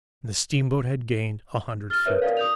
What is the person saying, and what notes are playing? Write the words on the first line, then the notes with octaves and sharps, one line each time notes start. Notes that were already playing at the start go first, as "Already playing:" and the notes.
And the steamboat had gained a hundred feet.
F6 A6 G7
A#4 B4 C#5 E5
A#4 D5 F5
D#6 G6 F7